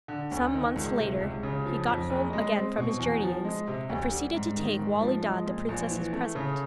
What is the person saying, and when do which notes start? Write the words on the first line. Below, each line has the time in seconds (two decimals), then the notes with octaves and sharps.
Some months later he got home again from his journeyings, and proceeded to take Wali Dad the princess's present.
0.08 D3
0.31 D2
0.54 D#3
0.76 C#2
0.98 C3
1.20 C#2
1.43 C#3
1.66 F3
1.88 F2
2.10 F#1
2.33 G#3
2.55 C4
2.78 B2
2.99 E2
3.22 F3
3.45 G#3
3.68 C3
3.90 D2
4.11 G3
4.34 G#2
4.56 D#3
4.79 G#2
5.01 F3
5.23 G#3
5.46 A#2
5.69 A#1
5.90 E3
6.13 A3
6.35 C#3